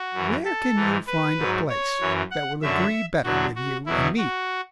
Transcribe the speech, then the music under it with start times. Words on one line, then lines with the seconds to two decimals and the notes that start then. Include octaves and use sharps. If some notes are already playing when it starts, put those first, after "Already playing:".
Where can you find a place that will agree better with you and me?
Already playing: F#4
0.14 F#2 E3
0.45 A4
0.75 G#2 E3
1.07 B4
1.39 G#2 F#3
1.69 C#5
2.01 F#2 E3
2.31 F#5
2.62 F#2 D3 F#3 E5
3.24 E2 D3 F#3 F#4
3.55 F#4
3.86 E2 B2 F#3 E4
4.18 F#4